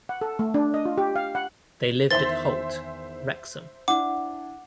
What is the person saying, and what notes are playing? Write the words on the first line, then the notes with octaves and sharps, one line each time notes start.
They lived at Holt, Wrexham.
F#5
A4
A3
D4
D#5
F4
G4
F5
F#5
E2 D#3 C5 E5 C6 A6 G7
D4 E4 F#5 D6